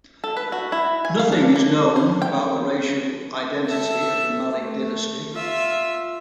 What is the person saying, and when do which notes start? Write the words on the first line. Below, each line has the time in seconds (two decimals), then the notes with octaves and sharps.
Nothing is known about the racial identity of the Malik dynasty.
0.24 A4
0.37 B4
0.52 F#4
0.72 E4
1.05 G#5
1.19 F5
1.32 D4
1.56 A#3
1.96 C5
2.22 G5
3.65 A4 E5
4.57 A3
5.33 F4 E5